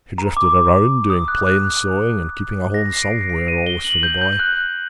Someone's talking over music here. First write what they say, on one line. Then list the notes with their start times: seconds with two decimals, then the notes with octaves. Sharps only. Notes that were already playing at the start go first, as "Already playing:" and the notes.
She drifted around, doing plain sewing and keeping a home somewhere always for the boy.
0.18 A#5
0.37 D6
1.10 D#6
1.28 F#6
1.47 F#6
2.74 A#6
2.86 A#6
2.93 C7
3.03 D7
3.11 C7
3.21 A#6
3.30 C7
3.48 D#7
3.67 G7
3.85 F#7
4.03 G6
4.22 G6
4.33 G6
4.39 F#6